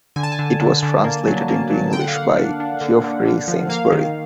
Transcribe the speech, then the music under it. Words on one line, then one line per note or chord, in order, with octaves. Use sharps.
It was translated into English by Geoffrey Sainsbury.
D3 G#5
A5
G#5
D3
D3
D3
A#3
F#3
A#3
F#3
D3 G5
F#5
F5
A#3 F#5
D4
D4
D3
D3
D3
F3
A#3 F5
D#3